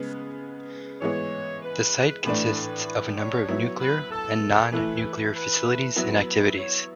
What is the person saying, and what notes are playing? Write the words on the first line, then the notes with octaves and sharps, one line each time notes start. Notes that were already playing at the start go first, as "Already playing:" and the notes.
The site consists of a number of nuclear and non-nuclear facilities and activities.
Already playing: C#3 G#3 B3
E3 G#3 B3 C#5
B4
A2 E3 A3 D4 B4
B4
C#5
F#3 B3 E4
B4
A4
E3 A3 E4 B4
B4
F#3 B3 E4 B4
C#5